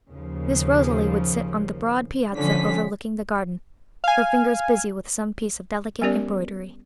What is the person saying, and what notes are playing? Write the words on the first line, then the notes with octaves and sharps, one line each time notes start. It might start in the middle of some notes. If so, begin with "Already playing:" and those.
Miss Rosalie would sit on the broad piazza overlooking the garden, her fingers busy with some piece of delicate embroidery.
D#2 C#3 F3
D3 F3 C#4 B6
F5 G#5
G3 B3 C#4 G4 A#4 D5